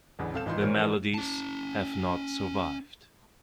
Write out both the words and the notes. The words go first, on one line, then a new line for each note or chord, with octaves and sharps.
The melodies have not survived.
A1 E2 D3 E3
D#1 C4 A4 F5 G6 E7
G#1 E3 D#4 F4 C6 G6
A#2 D#3 E3 A#4 C5 C#5
E3 G#3 D#4 A4 A#4 D5
C#4 A5